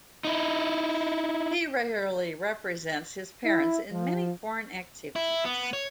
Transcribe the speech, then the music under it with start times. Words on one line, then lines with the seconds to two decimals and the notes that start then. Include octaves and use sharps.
He regularly represents his parents in many foreign activities.
0.25 D#4 E4
3.45 E4
3.92 F3
5.16 E4
5.45 B3
5.73 C#5